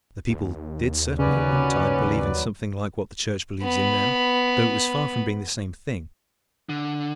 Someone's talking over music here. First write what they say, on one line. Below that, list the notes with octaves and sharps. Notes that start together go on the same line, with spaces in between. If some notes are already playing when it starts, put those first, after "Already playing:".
The people did certainly at one time believe in something like what the Church believes in now, though it was far from being the same thing.
D#2
C#3 F#3 C#4 B4 D5
B3 B5
D3